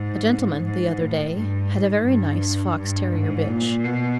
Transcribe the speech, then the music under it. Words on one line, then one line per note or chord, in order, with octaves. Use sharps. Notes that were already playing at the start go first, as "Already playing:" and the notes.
A gentleman, the other day, had a very nice fox-terrier bitch.
Already playing: G#2
G#2
A2
G2
G#2
G2
G2
G#2
A#2
B2